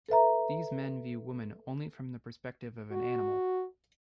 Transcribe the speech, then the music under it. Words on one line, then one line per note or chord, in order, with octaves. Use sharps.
These men view women only from the perspective of an animal.
A4 B4 E5 A#5
F#4